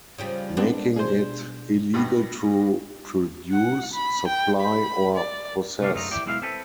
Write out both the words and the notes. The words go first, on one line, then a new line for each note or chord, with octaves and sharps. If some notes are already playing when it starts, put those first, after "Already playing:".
Making it illegal to produce, supply or possess.
C#3 F3 G3
G#3 B3 C4 D4
B2 G#4 C5
G2 B2 B5 A#6
F#5
B5
G5
B5
D5
C3 A3 D4 A4 F5
F#2 A3 D#4 F4 A#5
E4 D5 G5
B1 G#3 E4 A#4 F5
C4 E4 A4 B4